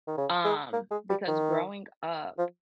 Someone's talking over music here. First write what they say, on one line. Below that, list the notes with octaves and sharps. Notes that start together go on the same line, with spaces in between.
um, because growing up,
D#3
C#3
G#3
A#3
G#3
G3
D#3
F3